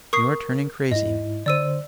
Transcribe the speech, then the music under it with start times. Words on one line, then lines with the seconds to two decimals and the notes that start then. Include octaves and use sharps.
You are turning crazy, I think.
0.13 A#4 C#6 D#6 C7
0.91 G#2 E4 D#5
1.46 D3 C5 D5 E6 D#7